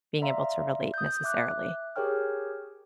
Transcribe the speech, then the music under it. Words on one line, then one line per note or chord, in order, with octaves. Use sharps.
being able to relate necessarily.
D5 E5 F5 A#5 C6
D#6 G6
E5 D6 F#6
G4 G#4 A#4 C#5 G5 F6